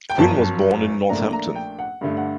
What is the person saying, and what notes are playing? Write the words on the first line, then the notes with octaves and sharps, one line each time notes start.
Quinn was born in Northampton.
G5
G1 F#2 F#3 A5
A5
A#1 A#2 A3 D4 A#5
A#5
G5
F#5
G2 D3 A3
F#5